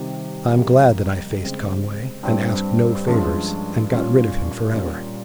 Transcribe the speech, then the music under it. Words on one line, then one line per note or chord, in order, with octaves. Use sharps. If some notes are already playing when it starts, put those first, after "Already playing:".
I am glad that I faced Conway, and asked no favors, and got rid of him forever.
Already playing: C3 D#3 G3 C4
F2 C3 G3 A#3
C#3 G#3 C4
G2 G3 C4
G2 F3 G#3 C#4 F4
A#2 G3 C#4 F4
A#2 G3 A#3 C#4 F4